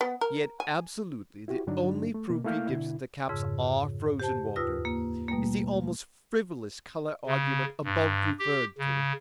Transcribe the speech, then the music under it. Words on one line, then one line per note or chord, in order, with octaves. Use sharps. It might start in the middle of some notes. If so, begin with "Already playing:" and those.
Yet absolutely the only proof he gives that the caps are frozen water is the almost frivolous colour-argument above referred to!
B3
A#4
G#5
E4 F#4 G4
G2 D3 F#3 D4 D#4
A3
B2 A#3
A3 A#3 E4 F5 F6 G6
B2 D3 E4
F2 G#2 C#3 E6
G4 C5 A5
D#2 F4 B4 D#6 E6 A#6
A#3
B2 G3 A3 A#3
C#3
G2
G4
C#3